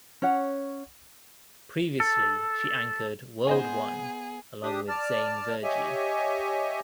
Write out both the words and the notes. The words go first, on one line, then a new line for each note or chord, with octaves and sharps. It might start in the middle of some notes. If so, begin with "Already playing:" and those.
Previously, she anchored "World One", along with Zain Verjee.
C#4 C#5 F#5
A4
B3 G#4 C5 D#5 G#5
D4 G4 D#6
D5 A5 F6
G4 C#5 D#5 E5 G#5